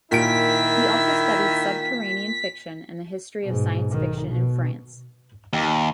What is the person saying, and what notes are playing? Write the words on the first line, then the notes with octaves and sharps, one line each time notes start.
He also studied subterranean fiction and the history of science fiction in France.
A#2 D#3 E4 B6 D7
G#2 B2
B1 D#3
B2
D#2